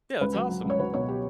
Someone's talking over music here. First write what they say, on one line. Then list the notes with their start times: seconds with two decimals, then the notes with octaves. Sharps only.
Yeah, that's awesome.
0.21 C#2 B4
0.35 F#3
0.51 F#3
0.64 C#2
0.70 C#5
0.79 F#3 B4
0.94 B2 C#5
1.09 G4